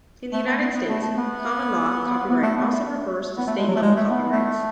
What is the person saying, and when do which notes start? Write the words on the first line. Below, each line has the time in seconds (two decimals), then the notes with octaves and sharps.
In the United States, common law copyright also refers to state-level copyrights.
0.33 A3
0.47 B3
0.61 B3
0.75 B3
0.89 A3
1.03 A3
1.17 B3
2.31 B3
2.43 A3
2.57 B3
2.71 A3
3.38 B3
3.47 A3
3.58 G#3
3.68 F#3
3.76 A3
3.82 G#3
3.96 A3
4.10 B3
4.31 A3